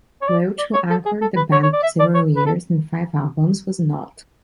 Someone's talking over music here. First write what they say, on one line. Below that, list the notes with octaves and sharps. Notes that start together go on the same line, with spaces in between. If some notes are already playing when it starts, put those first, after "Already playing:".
Welch, who anchored the band for several years and five albums, was not.
C#5
D5
D5
C#5
A4
G#4
A4
B4
C#5
C#5
D5
E5
D5
C#5
B4
A4